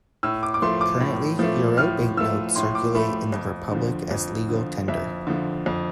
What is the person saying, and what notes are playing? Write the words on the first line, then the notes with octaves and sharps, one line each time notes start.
Currently euro banknotes circulate in the Republic as legal tender.
A2 E6
D6
D6
F3 A3 C6
D6
A2
F3 A3
A2 F6
F3 A3 E6
A2 C6
D6
F3 A3 B5
F2
D3 F3
F2
D3 F3
F2 E5
D3 F3
F2